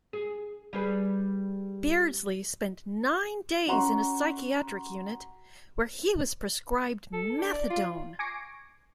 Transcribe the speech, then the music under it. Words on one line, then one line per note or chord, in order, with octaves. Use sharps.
Beardsley spent nine days in a psychiatric unit where he was prescribed methadone.
G#4
G3 G#4 B4
C#4 F#4 F#5 A#5 C6 C#6
A4
D4
D5
F4
G#5 C#6 D6 A#6 C7 D7